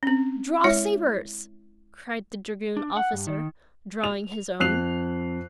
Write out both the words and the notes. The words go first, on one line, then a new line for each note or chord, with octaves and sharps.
"Draw sabers!" cried the dragoon officer, drawing his own.
C4 C#4
G#3 E4 C#5 E5
D4
F#5
G2
D#3
F7
F2 F#6 C7 F7